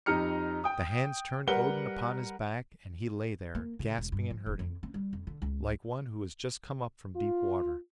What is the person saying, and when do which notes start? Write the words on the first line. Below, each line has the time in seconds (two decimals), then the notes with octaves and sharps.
The hands turned Odin upon his back and he lay there, gasping and hurting, like one who has just come up from deep water.
0.06 F2 D#4 G4 A#5 F6 C#7
0.64 G5 D#6
1.47 G3 A#4 B4 F#5 G7
3.55 A#3
3.79 C#3
3.98 E1
4.12 G2
4.30 F3
4.46 E1
4.59 F2
4.83 C4
4.94 G3
5.13 F2
5.27 D3
5.42 C#2
7.16 F4